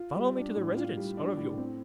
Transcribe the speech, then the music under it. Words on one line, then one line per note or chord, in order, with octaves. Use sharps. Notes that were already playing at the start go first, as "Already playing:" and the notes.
"Follow me to the Residence--all of you!"
Already playing: F4
G3
D4
A2
F4
G3
D4
A2
C4